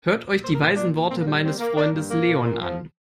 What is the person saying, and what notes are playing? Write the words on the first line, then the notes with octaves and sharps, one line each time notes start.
Hört euch die weisen Worte meines Freundes Leon an!
A#2
A#2
A#3 C5
A#4
A#2 F4
A#2 D4
A#3
A#2 C4
A#3
G3
A#3 C4
A#3
A#3 D4
G2
A#2 A#3
A#2
A#2
F3